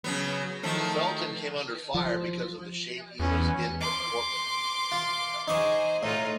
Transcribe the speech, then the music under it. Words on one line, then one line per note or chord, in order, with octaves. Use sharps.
Felton came under fire because of the shape he was in with Portland.
C#3 F#3 B3
D#3 F3 A3
F3
E2 B3 C#4
C6 D6
F4
D#4 G#4 C5 C#6 D6
A2 D#4 F4